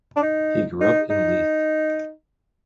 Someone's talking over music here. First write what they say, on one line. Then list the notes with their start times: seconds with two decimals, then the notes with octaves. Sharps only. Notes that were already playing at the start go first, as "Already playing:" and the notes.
He grew up in Leith.
0.16 D4
0.23 D#4
0.81 D#4
1.10 D#4